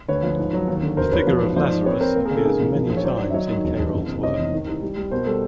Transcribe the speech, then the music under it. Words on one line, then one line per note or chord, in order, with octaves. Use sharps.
The figure of Lazarus appears many times in Cayrol's work.
D2 B4 C#5
F3
G#2
F#3
D#2
D3
E1 A#4 C5
E1 B4 C#5
F3
G#2
F3 C5 D5
G#2
C4 B4 C#5
C4 A#4 C5
A#3
G#4 A#4
C#3 A4
G#2 G#4 A#4
A1
F3
A#1
C#5
F#3 C5 D5
D#3
E5
F#3 C#5 D#5
D#3
E1
E1
F#1
C3
F1 C#5 D#5
E2
D#3
C2
G3
G3
B2 A#4 C5
G3 A4